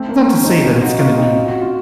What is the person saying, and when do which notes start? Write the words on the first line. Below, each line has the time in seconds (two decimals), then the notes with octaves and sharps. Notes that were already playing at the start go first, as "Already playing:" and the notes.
Not to say that it's gonna be
Already playing: A3 C4
0.09 A#3
0.27 A#3 C#4
0.45 C4 D#4
0.63 C#4 F4
0.81 D#4 F#4
0.95 F#4
0.99 C#4 F4
1.18 C4 D#4
1.48 F#4
1.61 F4